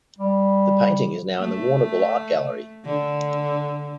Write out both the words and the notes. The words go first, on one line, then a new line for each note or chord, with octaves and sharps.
The painting is now in the Warnambool art gallery.
G3
A3
D3